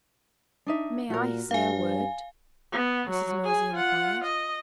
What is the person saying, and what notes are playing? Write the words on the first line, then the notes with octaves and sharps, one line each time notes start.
"May I say a word?" Mrs. Mosey inquired.
D4 D#4 E5
A#2 F#4 A#4
G2 F5 G#5
B3
F#3
G#4 G#5
F4 F#5
D#5